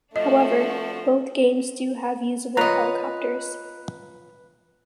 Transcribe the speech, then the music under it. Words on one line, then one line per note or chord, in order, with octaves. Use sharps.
However, both games do have usable helicopters.
F3 A3 D4 F#4 D#5
F4 B4 C#5 D#5 A#5